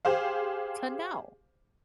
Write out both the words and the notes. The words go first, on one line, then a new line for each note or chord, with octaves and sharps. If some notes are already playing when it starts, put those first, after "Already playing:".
to know?
G4 G#4 C5 F5